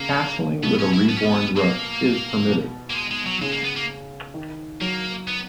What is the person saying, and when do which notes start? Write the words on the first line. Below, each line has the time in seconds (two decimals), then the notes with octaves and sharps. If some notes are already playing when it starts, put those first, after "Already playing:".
Castling with a reborn rook is permitted.
Already playing: C#3 A#3
0.63 B2 B3
0.79 C#4
0.93 E4
1.09 B3
1.17 C#4
1.25 B3
1.56 A#3
2.48 B2
2.90 A#3
2.95 G#3
3.11 G#3
3.26 F#3
3.41 C#3 G#3
3.52 A#3
3.64 B3
3.76 A#3
4.34 D#3
4.81 F#3 A#3
5.28 B3